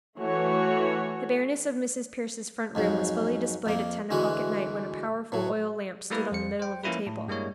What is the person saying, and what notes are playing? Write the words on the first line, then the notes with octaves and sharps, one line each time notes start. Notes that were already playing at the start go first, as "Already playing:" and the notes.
The bareness of Mrs. Pearce's front room was fully displayed at ten o'clock at night when a powerful oil lamp stood on the middle of the table.
E3 A3 F#4 C#5
F2 G#2 F#3
F2 A#3
D2 E3 G#3 F#4 B4
A2 F#3
G3 A3 A#3 E4 B4
F2 C5 C#7
C5 G5
F3 A#3 C#4 E4 F4 B4
A2
G2 G3 G#3 A#3 E4 C#5